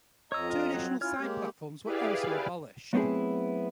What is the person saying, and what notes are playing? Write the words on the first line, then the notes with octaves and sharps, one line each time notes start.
Two additional side platforms were also abolished.
F2 C#5 D#5 A#5 E6
F4
F#3 C4
C#4 E4 F4 C#5 F6
G#3 A#3 G4
E4 G4 G#4 B4 D5 F5
F#3 A3 B3 C4 E4 G#4